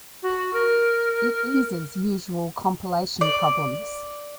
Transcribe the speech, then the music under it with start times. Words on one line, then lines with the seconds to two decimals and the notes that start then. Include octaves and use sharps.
It eases usual compilation problems.
0.23 F#4
0.53 A#4
3.21 D5